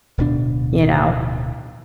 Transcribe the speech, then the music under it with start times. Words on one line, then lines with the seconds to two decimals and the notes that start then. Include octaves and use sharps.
You know?
0.18 D1 B2 D4